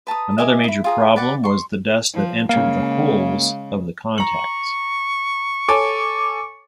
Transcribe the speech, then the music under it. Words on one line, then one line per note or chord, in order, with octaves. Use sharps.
Another major problem was the dust that entered the holes of the contacts.
B4 A5 A#5 D#6
D#5 E5 G#5 D6
D#4 E4
F4 G#4 A#5
B4 D5 F#5
C6 C#6
F3
C#3 G#3 A#3 F5
A#5 C#6 F#7
A4 C#5 G#5 D6